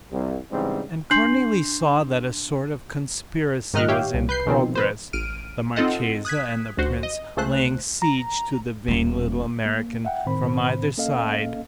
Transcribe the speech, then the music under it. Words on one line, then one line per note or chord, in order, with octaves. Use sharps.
And Cornelie saw that a sort of conspiracy was in progress, the marchesa and the prince laying siege to the vain little American from either side.
C2
G#2 C#3 E3 G3 C4
D4 C6 G6 C7 F#7
G#2 D#3 D#4 D#5 F6 F#6
G4 C#5 E5 F5 G5
C2
B4 G6 C7
B2 D#3 F3 C4
B4 C5
A1 F6 D7 D#7
C4 D#4 F4 A4 D#5 F#5
D#6 F#6 G#6 B6
A1 D2 F#4 C5
D#5
C#2 C#3 A3 C5 F#6
A#5
D#1 A#3
A#3
E5 F#5 G5
A2 D#3 C4 C5 B5
A#3 C#4 A4 D#5 F5